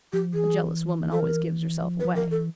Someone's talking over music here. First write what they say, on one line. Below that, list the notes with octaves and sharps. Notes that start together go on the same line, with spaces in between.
A jealous woman always gives herself away.
F3 G4
E3 G#4
A4
A#4
F3
B4
F3
A#4
E3 A4